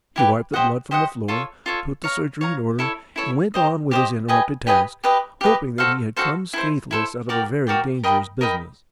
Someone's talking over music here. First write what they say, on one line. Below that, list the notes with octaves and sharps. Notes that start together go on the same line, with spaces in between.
He wiped the blood from the floor, put the surgery in order, and went on with his interrupted task, hoping that he had come scathless out of a very dangerous business.
E4 G4 B4
G4 C5 D#5 F#5
G4 C5 D#5 F#5
F4 A4 C#5
F4 A4 C#5
C#5 F5 A#5
C#5 F5 A#5
E4 A4 C#5
E4 A4 C#5
G4 C5 D#5
G4 C5 D#5
G4 B4 D#5 G#5
G4 B4 D#5 G#5
G4 B4 D#5
G4 B4 D#5
F#4 A4 C5 F5
F#4 A4 C5 F5
E4 A4 C5
E4 A4 C5
F#4 A#4 D5 G5
F#4 A#4 D5 G5
A#4 D#5 G5 B5
A#4 D#5 G5 B5